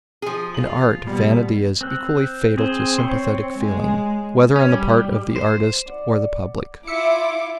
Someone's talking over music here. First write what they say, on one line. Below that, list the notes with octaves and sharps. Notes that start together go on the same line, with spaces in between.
In art vanity is equally fatal to sympathetic feeling, whether on the part of the artist or the public.
F3 G#4
F4 F#7
B2 G3 B3
C4 F#6
C4 G#4 C5
C#5 G5 C6
G#3
C#4
G3
C5
D5 F#5
E4 F4 E5 D6 C#7